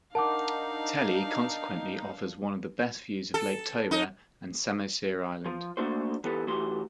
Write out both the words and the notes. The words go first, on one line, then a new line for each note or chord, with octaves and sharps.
Tele consequently offers one of the best views of Lake Toba and Samosir Island.
D4 D#4 A#4 F5 F#5 A5 D6
A4
D#4
F3
A3 A#3 D4 F#4 C5
E3 B3 G4 A4
E3 A3 F#4 G4 C6